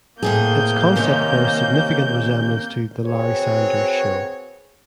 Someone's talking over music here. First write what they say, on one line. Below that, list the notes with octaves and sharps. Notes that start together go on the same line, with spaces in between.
Its concept bears significant resemblance to "The Larry Sanders Show".
A2 C3 A#3 G#4 G6
C3 D#3 C#4
C4 F#4 G#4 B4 C#5